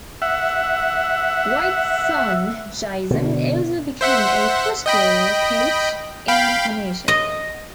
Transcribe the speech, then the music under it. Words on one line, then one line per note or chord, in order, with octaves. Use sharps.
Withe's son, Jason, also became a footballer, coach and manager.
E5 F#5
B2 D3
C5 E5 F#5
D#5 G5 B5
F5 G5 B5
D#5